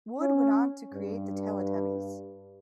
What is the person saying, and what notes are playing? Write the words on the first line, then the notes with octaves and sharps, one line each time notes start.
Wood went on to create the "Teletubbies".
C#4
G2